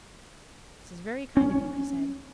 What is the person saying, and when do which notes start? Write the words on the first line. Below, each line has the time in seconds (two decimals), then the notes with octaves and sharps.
"This is very kind of you," he said.
1.37 C#4